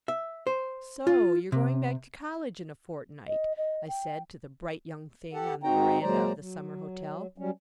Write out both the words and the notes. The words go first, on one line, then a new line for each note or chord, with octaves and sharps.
"So you're going back to college in a fortnight," I said to the Bright Young Thing on the veranda of the summer hotel.
E5
C5
F4
C3
D#5
D#5
G5
G4 A4 F#5 A5
G#2 C4 D#4 F#4 G5 A#5
A#2 F#3 G#3 C5 D5 A#5
F#3
F#3 G3 C#4